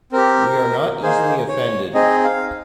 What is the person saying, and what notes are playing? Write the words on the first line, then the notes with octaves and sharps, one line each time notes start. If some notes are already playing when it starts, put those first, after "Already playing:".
We are not easily offended.
C4 G4 A#4
A#3 D#4 G#4 C5
C#5
C4 D#4 G#4 D#5
F5